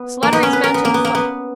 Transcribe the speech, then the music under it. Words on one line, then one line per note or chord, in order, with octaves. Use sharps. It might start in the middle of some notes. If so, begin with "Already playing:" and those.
Slattery's mounted foot.
Already playing: B3
A#3
B3
C#4
B4
A#4
B3
A#3
B3
A#3
B3